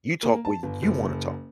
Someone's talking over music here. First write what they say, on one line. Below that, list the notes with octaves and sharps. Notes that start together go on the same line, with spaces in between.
you talk when you wanna talk.
A#3
A5
G1
F#1